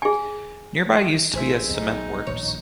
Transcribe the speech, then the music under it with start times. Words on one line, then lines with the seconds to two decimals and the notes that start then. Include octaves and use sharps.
Nearby used to be a cement works.
0.02 G#4 G#5
1.33 A1 G#4 C5 E5
1.70 B1 D#4
2.27 D#1 A#1 A2 C#5